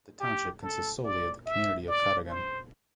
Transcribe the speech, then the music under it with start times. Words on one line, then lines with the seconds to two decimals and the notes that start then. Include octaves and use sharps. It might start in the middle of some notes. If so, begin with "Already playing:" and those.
The township consists solely of the community of Cadogan.
0.20 G4
0.62 A4
1.04 D5
1.46 E5
1.88 D5
2.30 C5